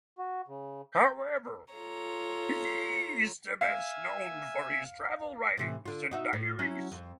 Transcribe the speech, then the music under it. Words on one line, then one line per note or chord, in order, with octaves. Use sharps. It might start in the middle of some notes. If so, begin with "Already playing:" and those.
However, he is best known for his travel writings and diaries.
F#4
C#3
G6
F4 A4 C#5 A#5
E5 F5 G#5
A2 C3 E3
D3 F4
D#4 F#4 E5
A2
F#3 C#4 E4
F2